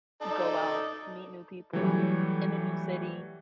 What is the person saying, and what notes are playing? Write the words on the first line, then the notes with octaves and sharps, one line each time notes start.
go out, meet new people in a new city,
D#4 A4 D5
E3 F#3 G3 A3 C#5